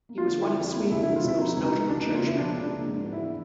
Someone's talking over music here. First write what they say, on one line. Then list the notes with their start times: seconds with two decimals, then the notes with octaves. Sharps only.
He was one of Sweden's most notable churchmen.
0.09 A#3
0.18 F4
0.25 D3
0.42 G3 E4
0.59 F2
0.67 E4
0.75 A#3
0.91 C#2 E4
1.03 E4
1.08 G#3
1.16 F4
1.24 C3 E4
1.40 F3 D#4
1.57 C#2
1.65 D#4
1.73 G#3
1.89 C#2 D4
2.02 D#4
2.06 A#3
2.14 F4
2.22 C#3 E4
2.38 F3 D4
2.55 C#2
2.64 D4
2.71 A#3
2.87 G#2
3.04 B3
3.13 E4
3.21 E3